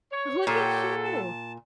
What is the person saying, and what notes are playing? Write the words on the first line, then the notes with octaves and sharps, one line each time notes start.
look at you.
C#5
A#2 F#3 G4 A4 C#5 G5
A5